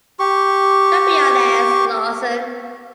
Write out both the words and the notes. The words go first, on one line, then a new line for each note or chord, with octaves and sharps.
Don't be an ass, Lawson.
G4 C#6